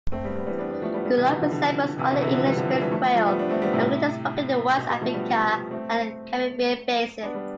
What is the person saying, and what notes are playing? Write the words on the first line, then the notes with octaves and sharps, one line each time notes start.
Gullah resembles other English-based creole languages spoken in West Africa and the Caribbean Basin.
A3 C4
G3 B3
G3 B3
E3 G3
B3 D4
B3 D4
F3 A3
G3 B3
G3 B3
C3 E3
B2 D3
D3 F3
D3 F3
C3 E3
B2 D3
C3 E3
D3 F3
E3 G3
D3 F3
C3 E3
E3 G3
F3 A3
F3 A3
G3 B3
B3 D4
A3 C4
G3 B3
A2 C3
B2
B2
F3 A3
G3 B3
A3 C4
B3 D4
G3 B3